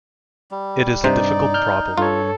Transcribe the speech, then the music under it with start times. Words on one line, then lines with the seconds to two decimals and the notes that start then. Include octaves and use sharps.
It is a difficult problem.
0.51 G3
1.04 G2 C3 D#4 C5 D5
1.54 F6 G6
1.98 G2 F4 A4 C#5